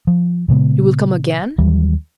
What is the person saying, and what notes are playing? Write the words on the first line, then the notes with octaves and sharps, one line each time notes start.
"You will come again?"
F3
A#2 C#3 G#3 B3
D#2 E3 F#3 G3